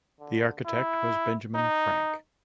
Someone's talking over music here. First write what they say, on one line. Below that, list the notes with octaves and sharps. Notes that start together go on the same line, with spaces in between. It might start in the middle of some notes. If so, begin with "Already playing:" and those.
The architect was Benjamin Frank.
D3
E4
D#4